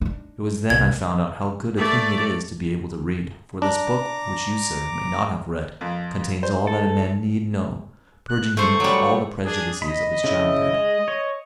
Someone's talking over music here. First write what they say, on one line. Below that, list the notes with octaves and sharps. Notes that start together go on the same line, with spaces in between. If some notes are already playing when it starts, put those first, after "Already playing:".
It was then I found out how good a thing it is to be able to read, for this book, which you, sir, may not have read, contains all that a man need know--purging him of all the prejudices of his childhood.
D4 D#4
C2 G#6
A3 D5
D4 A#5 D6
F2
C5
A4
F#6
A3 C5 C#6
F#3 G3
D4 G#4
D#5 B5
C#3 E4
G#3
C#5